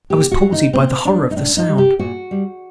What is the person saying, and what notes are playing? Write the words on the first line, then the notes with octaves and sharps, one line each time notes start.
I was palsied by the horror of the sound.
A#2 G4
F#4
F#3
D#4
A#2 C4
G3 D4
D#4
A2 D4
D#4
G3
G4
A#2 F#4
G3